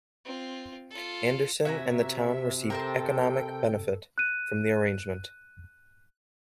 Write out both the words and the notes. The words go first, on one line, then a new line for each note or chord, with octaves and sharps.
Anderson and the town received economic benefit from the arrangement.
C4 F4
F4 A4
C3 F#4 E5 G#5 A#5
A4 A#4 C5 G5 A5
F#6 D#7